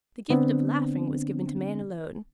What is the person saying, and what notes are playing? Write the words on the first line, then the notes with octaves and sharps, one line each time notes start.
The gift of laughing was given to man alone.
D3 B3 C4 D4